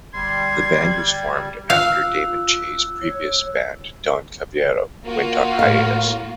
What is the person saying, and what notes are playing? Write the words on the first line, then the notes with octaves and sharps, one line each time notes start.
The band was formed after Damon Che's previous band Don Caballero went on hiatus.
G1 G3 C6 G#6
F4 F5 E6 F#6
C#5
A#3 F4 F#4
A2 F5